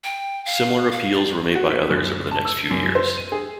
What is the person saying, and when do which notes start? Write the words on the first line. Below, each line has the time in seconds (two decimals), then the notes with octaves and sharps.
Similar appeals were made by others over the next few years.
0.04 G5
0.46 F5
0.92 F5
1.13 D5
1.55 F#4
1.71 B6
1.90 F#2
2.31 A5
2.45 E6
2.70 F#2
2.95 C5
3.17 D#7
3.32 G#4